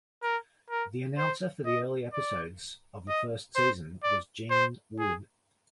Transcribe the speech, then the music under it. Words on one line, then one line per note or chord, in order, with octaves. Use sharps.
The announcer for the early episodes of the first season was Gene Wood.
A#4
A#4
C5
D#5
D5
D#5
C5
D5
C5
G#4